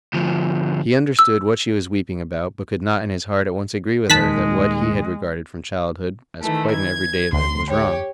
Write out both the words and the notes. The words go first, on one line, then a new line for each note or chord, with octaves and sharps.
He understood what she was weeping about, but could not in his heart at once agree with her that what he had regarded from childhood as quite an everyday event was wrong.
D2 F3
E6
D#1 D#2 D#3 G#3 A5 F#6 B6
D#3 E3 A3
G#6
D2 C6
G4 C#5